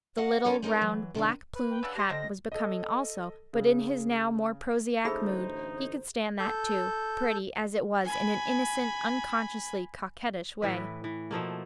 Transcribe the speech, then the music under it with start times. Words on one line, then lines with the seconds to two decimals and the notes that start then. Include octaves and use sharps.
The little round, black-plumed hat was becoming also; but in his now more prosaic mood, he could stand that, too, pretty as it was in an innocent, unconsciously-coquettish way.
0.17 F#4 D#5 F5 F#5
0.44 C#4 F4 A4 A#4 C#5
0.62 G#3 A3 C4 C#4 D#4 A#4
0.81 E3 F#3
1.15 C3 D#3 D4
1.55 B4
1.70 G5
1.83 C#3 D4 F#5 E6
1.95 D4 G4 C6 A#6
2.09 D3 G3 C4 D4 D#5
2.52 A4 D#5
3.53 C#3
5.05 A1 D2 D#4 G#4 A4 C5 E5 B5
6.39 A4 G6
8.04 G#5 B5
10.62 A2 E3 B4
11.04 E3
11.31 B2 F3 A3 A#3